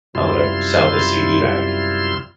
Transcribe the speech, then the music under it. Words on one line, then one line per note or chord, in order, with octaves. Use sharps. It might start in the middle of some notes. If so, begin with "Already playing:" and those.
"I'm gonna b sell this CD back."
F#2 C3 G3 E4 F4 C6